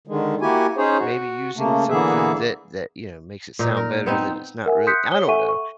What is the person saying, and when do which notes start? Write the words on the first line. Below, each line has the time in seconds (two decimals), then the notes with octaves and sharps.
maybe using something that that, you know, makes it sound better that it's not really I don't know.
0.07 D3 D#3 G#3
0.41 A#3 E4 F#4 G4 G#5
0.77 C#4 D#4 G#4 C5 C#5
0.98 F#4
1.57 C#3 A3 A#3
1.89 D3 E3 A#3 B3 G#4 E5
3.59 A#2 D#4
3.77 A#4
4.06 B3 C4 D#4
4.66 A#4 E5 F#5 G#5
4.87 C6 D#6 F#6 G6 B6 C#7
5.12 C#5 D#6 G7
5.28 A4 E5 F#5 G#5 C#6 D#7
5.48 C#6